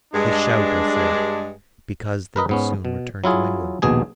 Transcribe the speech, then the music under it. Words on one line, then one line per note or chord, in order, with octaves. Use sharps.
"They shout," I said, "because they will soon return to England."
G2 G#3 D4
A#4 B4 D#5 A#5
G#2 B3 C#4
B2
F#3 E4 F4 G#4
A#1 D#2 B2 G#4 G#5